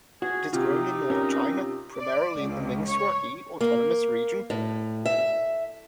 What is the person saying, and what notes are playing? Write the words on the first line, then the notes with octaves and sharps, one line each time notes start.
It is grown in North China, primarily in the Ningxia Hui Autonomous Region.
F#4 G#4
C3 D#4 F4
C#4 A#4
D5
C#2
C#5
A#3
A2
E5